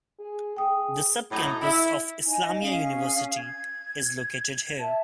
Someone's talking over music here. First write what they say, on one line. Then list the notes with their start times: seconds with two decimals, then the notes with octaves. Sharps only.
The sub-campus of Islamia University is located here.
0.19 G#4
0.57 G#4 G5 D#6
1.32 A2 F#3 D#4
1.62 E4
2.25 D#4 D#5 G#5
2.59 C#4 G#4 F5
3.37 G#6
4.78 E5 A5